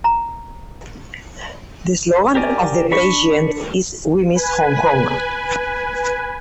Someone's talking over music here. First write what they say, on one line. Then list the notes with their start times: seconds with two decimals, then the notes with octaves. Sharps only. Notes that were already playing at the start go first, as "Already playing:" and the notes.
The slogan of the pageant is "We Miss Hong Kong".
0.04 A#5
2.35 G4 A#4 D5 G#5
2.91 D4 B5 C#6
4.35 B4 G#5